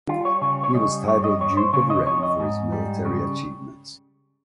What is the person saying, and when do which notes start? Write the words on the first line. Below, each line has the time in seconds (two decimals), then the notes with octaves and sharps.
He was titled Duke of Ren for his military achievements.
0.08 G3 F4
0.25 C#5
0.42 C#3 C#5
0.64 C#5
0.74 G3 D#5
1.08 G2 C#5
1.24 D#5
1.40 G2 C#5
1.57 C5
1.73 C#3 C#5
1.90 D#5
2.06 F2 C#5
2.23 D#5
2.40 G#2
2.72 G3
3.05 C#3